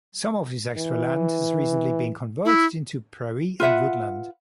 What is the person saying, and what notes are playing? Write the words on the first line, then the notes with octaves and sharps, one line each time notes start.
Some of this extra land has recently been converted into prairie and woodland.
E3
E4
F4 B4 E5 F#5